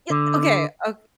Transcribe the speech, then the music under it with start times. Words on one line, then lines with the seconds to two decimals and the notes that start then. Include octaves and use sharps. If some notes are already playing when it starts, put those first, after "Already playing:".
Ye okay. O
0.10 D3